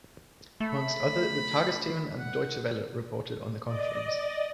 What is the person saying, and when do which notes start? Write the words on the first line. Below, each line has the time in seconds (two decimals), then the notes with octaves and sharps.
Amongst other the Tagesthemen and the Deutsche Welle reported on the conference.
0.60 A3 B5
2.19 F#5
3.65 D5 D#5